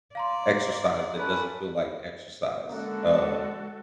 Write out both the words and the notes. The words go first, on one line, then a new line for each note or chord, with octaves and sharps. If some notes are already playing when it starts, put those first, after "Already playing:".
exercise that doesn't feel like exercise. Um.
D5 F5 A#5 C6
C#4 A4 B4
D3 G#3 A#3 C#4 F#4 A4 A#4